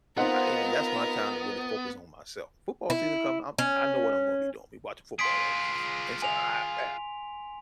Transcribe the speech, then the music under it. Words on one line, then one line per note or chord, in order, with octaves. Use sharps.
I you know, that's my time to really focus on myself. Football season come, I'm I know what I'm gonna be doing, be watching football all weekend and so, I Yeah,
B3 C4 D#4 F4 A#4 C5 F#5
E4
C#4
F4 G#4 C6 B6 D7
G#5 F7